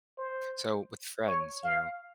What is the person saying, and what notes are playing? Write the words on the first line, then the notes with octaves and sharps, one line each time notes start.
so with friends, you know,
C5
C#5
F5